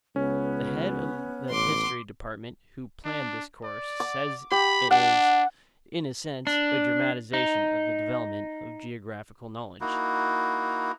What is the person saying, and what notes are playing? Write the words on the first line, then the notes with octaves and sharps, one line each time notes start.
The head of the history department who planned this course says it is "in a sense a dramatization of the development of geographical knowledge."
C#2 B3 C#4
A1 C6 D6
D4
D5
D6
G4 B5
D4 F#5
D4
D#4
A#3 D#4 E4 F#4